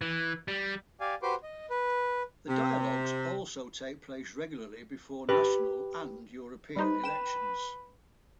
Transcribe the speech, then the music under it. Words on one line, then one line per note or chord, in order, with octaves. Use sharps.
The dialogues also take place regularly before national and European elections.
E3
G3
G4 D5 F5 G#5
F#4 G4 B4 C5 C6 D6
D#5
B4
C3
G4 B4
G3 D#4 B4 C5
G5 E7